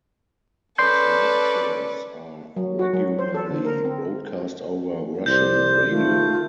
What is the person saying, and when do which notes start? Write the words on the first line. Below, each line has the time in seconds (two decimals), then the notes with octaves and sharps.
His lectures are regularly broadcast over Russian radio.
0.78 C#4 A4 B4 D5 C6 G6
2.56 F#3
2.79 F#4
2.93 F#3
3.19 C5
3.35 A4
3.51 D3
3.65 A#4
3.85 C4
5.26 C2 C5 D5 G6
5.89 D#3 A3 F4